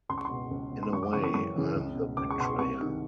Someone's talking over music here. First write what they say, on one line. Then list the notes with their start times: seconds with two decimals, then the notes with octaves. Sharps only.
In a way, I'm the betrayer.
0.09 C#2 C6
0.18 C#6
0.25 C6
0.30 B2
0.51 C#2
0.72 B2
0.83 C6
0.93 F#2 C#6
1.03 D6
1.13 C#3 C#6
1.17 E3
1.24 C#6
1.34 F#2 C#6
1.55 C#3 E3
1.75 C#2
1.96 B2
2.17 C#2 D6
2.31 C#6
2.38 B2 C6
2.45 C#6
2.58 C2 C#6
2.79 C3 D#3